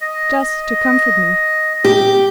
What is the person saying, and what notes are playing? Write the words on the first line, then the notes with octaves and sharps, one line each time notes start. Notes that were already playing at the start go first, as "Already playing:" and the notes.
Just to comfort me.
D#5
G4